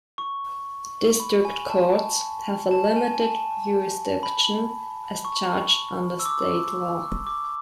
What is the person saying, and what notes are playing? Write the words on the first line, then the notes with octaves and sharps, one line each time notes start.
District Courts have a limited jurisdiction as charged under state law.
C#6
B5
G#5
A5
A5
G#5
G#5
A5
B5
C#6
E6
D6
D6